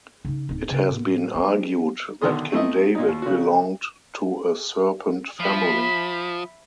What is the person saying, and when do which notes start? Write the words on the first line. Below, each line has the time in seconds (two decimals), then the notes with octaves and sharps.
It has been argued that King David belonged to a serpent family.
0.25 C#3 D#4
0.49 D1 D#4
0.71 C#3
0.89 A2
1.35 F#3 B3
2.22 B1 B2 D3 D#3 C6 D#6
2.52 A3 C4 E4 D#5
2.95 A#2 D#4
3.08 D#2
3.22 C#3 F#4
5.40 F3 E5 B5